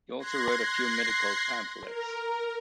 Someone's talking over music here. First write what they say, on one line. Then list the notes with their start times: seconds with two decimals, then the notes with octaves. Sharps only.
He also wrote a few medical pamphlets.
0.18 C6 F#6 G#6 A#6 C7
1.83 A#4